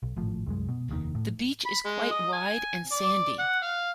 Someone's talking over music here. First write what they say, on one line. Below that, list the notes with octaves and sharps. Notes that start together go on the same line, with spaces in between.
The beach is quite wide and sandy.
B1
G#1 A2 F3
C2 F#2 G#3
B2
F1 D#2 A#2 D#3
A2
B5
G#3
D#5
G#5
D5
F#5
F5